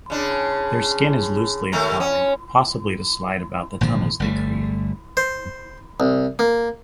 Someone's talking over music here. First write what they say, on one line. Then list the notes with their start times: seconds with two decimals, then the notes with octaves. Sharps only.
Their skin is loosely applied, possibly to slide about the tunnels they create.
0.10 C#3 D4
1.72 D#2 A3 A#4
2.00 C#4
3.81 G#1 A#2 D3 F3
4.20 G1 G3 A3
5.17 C5
6.00 C2
6.39 A#3